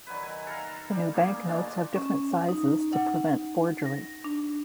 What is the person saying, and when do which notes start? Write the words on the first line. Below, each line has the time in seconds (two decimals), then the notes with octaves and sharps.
The new banknotes have different sizes to prevent forgery.
0.07 D#3 F#3 E4 B4
0.23 G#5
0.47 A4 A#4 F5 A#5
0.90 G3
1.13 A3 A#3 G#4
1.47 D#3 G#3 D4 F4
1.96 C#4
2.49 D#4
2.93 F#5
3.86 A#6
4.24 D4